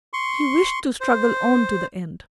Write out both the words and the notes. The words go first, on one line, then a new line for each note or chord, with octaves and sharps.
He wished to struggle on to the end.
C6 C#6
C5